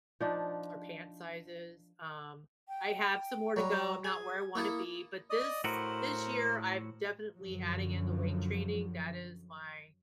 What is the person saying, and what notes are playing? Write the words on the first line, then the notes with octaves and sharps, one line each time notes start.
or pant sizes. Um, I have some more to go. I'm not where I wanna be. But this this year, I'm definitely adding in the weight training. That is my,
F3 D4 D#4
G5
F#3 G3 A#5
G#4 G#5
A#3 E4 A4 D#6
D5 D#5 D#6
A2 E4 F#4 A#4 C5
F#2 D3 F3 F#3